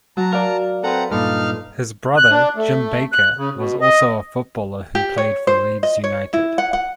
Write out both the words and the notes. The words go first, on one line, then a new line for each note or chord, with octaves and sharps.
His brother Jim Baker was also a footballer who played for Leeds United.
F#3 A5 A#5
A#4 D5 F5
C4 A4 B4 F#5 A#5
G2 A#2 D#4 A4 F5 F6
F#6
D4
A3
F#6
C#3
B2
D#5
G4
C#5
C5
D#5
C#5
E4
F#5
F#5